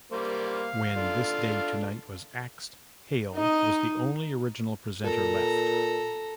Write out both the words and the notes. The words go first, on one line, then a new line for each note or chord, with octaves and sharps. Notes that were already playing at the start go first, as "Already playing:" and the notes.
When This Day Tonight was axed, Hale was the only original presenter left.
G3 A#3 C5
F5
D4 F4 A4
D#4 D#5
A#2 A4 A#5